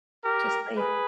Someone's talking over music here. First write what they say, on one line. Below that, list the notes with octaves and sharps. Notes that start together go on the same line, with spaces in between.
just saying
G4 A#4
G#4 B4